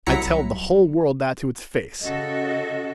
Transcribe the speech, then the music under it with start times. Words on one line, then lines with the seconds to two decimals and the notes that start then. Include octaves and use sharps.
I tell the whole world that to its face!
0.07 C2 F#3 E4 A#5 B6 C#7
2.02 C#3 F#4 A4 D#5